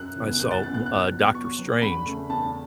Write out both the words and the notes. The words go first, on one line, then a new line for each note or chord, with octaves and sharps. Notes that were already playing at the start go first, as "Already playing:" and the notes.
I saw, wh uh, Doctor Strange
Already playing: F#2 F#6
C#3 E3 B3
F#2 F#6
A6
C#3 E3 B3 F#6
F#6
B2 F#6
F#3 B3
B2 C#6
F#3 B3
E2 B5
C#3 A3
E2 A5